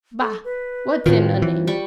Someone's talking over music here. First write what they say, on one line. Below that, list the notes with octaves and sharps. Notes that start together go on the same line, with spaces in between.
Bah! what's in a name?
A4
B4
A2 D#3 F3 F#3 C4
E3
G3 B5 C#6